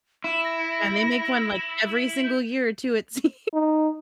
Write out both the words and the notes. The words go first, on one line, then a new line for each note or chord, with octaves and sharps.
Yeah, and they make one like, every single year too it seems.
E4 E7
A#6
G6
D#4